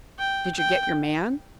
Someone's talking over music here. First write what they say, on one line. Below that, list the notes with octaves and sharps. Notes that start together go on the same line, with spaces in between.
"Did you get your man?"
G5
G5